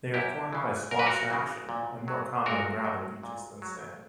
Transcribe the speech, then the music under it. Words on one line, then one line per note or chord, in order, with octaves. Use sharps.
They are formed by swash action and more common on gravel beaches than sand.
F#2 E4 G4
C#3 E3
F#2 A#4
B4
F#4 A#4
C#3 E3
A#2
F#3
A#2 F#4 A#4
F#3
A#2
F#3